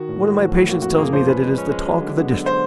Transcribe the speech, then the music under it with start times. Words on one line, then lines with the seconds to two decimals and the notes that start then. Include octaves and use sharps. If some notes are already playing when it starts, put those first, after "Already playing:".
One of my patients tells me that it is the talk of the district.
Already playing: D#3 F#4
0.09 A2
0.24 A2
0.38 F3
0.53 A2
0.68 A#3 F#4
0.82 F2 F#4
0.98 A#3 G#4
1.13 F3 C5
1.28 C#4 B4
1.42 G#3
1.58 C#4
1.71 G#3
1.87 F#3
2.02 D3
2.17 B3
2.32 D3
2.46 C5